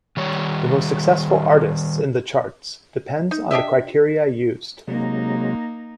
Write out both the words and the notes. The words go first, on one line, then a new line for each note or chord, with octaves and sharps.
The most successful artists in the charts depends on the criteria used.
D#3 G3 C#5
D#4
D4 G4 D#5 E5
C3 F#3 G#3 A#3 D#4